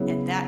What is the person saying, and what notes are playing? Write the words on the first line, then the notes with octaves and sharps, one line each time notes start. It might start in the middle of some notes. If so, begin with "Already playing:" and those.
And that
Already playing: C#3 F#3 B3 E4 G#4